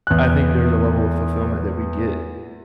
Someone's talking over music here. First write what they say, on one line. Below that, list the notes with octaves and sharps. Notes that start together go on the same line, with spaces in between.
I think there's a level of fulfillment that we get
E2 F#6